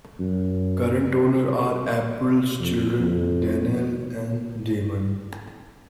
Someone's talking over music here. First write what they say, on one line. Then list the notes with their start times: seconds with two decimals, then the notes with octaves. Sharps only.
Current owners are April's children Danielle and Damon.
0.19 F#2
2.60 F2
2.99 F2